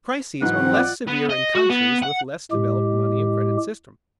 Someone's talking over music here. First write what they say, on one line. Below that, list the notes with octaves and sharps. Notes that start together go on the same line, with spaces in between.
Crises are less severe in countries with less developed money and credit systems.
G#2 E3 F#3 F#5
C4
F4 D5 D6
B3
D#5
F#4
B3
F#5
A2 G#3 G4